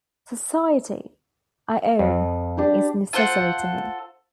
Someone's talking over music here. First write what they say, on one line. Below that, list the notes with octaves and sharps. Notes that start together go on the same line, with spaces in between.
Society, I own, is necessary to me.
F2
D4 G4 B4
F4 A4 C5 F#5